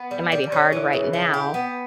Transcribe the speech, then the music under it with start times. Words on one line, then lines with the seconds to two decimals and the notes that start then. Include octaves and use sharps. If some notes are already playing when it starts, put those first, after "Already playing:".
it might be hard right now,
Already playing: B3
0.11 G3
0.32 G3
0.52 C#4
0.72 E3
0.93 C#3
1.13 E4
1.34 G4
1.54 B3